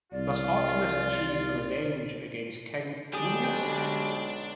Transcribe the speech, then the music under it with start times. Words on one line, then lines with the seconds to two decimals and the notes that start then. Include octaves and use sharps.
Thus Artemis achieved her revenge against King Oeneus.
0.12 C2 F4 D5
3.13 B1 D3 G#3 D4 G4 G#5 D#6